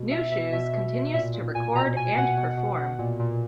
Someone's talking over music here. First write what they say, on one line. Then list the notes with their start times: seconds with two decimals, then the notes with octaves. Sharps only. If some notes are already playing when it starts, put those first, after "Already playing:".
Nu Shooz continues to record and perform.
Already playing: B2
0.11 B2 E5
0.32 B2 E5
0.53 B2 E5
0.73 B2
0.94 B2
1.14 A#2 E5
1.34 A#2
1.55 A#2 G#5
1.75 B2 A#5
1.96 B2 G#5
2.17 B2 F#5
2.37 B2
2.57 B2
2.78 B2
2.99 A#2
3.19 A#2